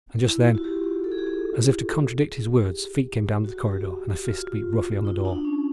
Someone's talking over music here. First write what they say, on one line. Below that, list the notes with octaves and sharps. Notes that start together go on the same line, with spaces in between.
And just then, as if to contradict his words, feet came down the corridor, and a fist beat roughly on the door.
E4
F4
F#4
G4
G4
A4
G#4
G4
G#4
G4
F#4
G4
F#4
F4
D#4
D4
C#4